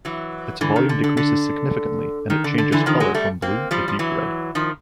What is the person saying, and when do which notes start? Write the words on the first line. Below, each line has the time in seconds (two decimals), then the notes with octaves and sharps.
Its volume decreases significantly, and it changes color from blue to deep red.
0.05 E3 F#3
0.61 D3 E3
0.76 D#3
0.89 D3
1.04 D3
1.17 D3
2.30 D#3
2.44 D3
2.58 D3
2.72 D3 E3
2.86 D#3 F3
3.00 F#3 G#3
3.14 G3 A3
3.42 A#3 C4
3.71 F3 G3
3.88 F3
3.99 E3 F#3
4.55 D#3 F3